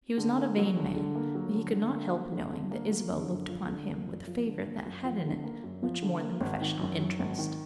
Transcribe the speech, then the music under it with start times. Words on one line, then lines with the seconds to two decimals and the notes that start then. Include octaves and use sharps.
He was not a vain man, but he could not help knowing that Isabel looked upon him with a favour that had in it much more than professional interest.
0.18 D3
0.38 A#3
0.57 F#3
0.76 D3
0.96 D3
1.15 A#3
1.35 F#3
1.55 D3
1.73 D3
1.93 A#3
2.13 F#3
2.32 D3
2.52 D3
2.71 A#3
2.91 F#3
3.11 D3
3.30 F#2
3.49 F3
3.68 D3
3.88 A#3
4.08 F#2
4.27 F3
4.46 D3
4.65 A#3
4.86 F#2
5.05 F3
5.25 D3
5.44 A#3
5.64 F#2
5.83 F3
6.02 D3
6.21 A#3
6.41 G#1
6.61 D#3
6.81 F#2
6.99 F#3
7.19 G#1
7.38 D#3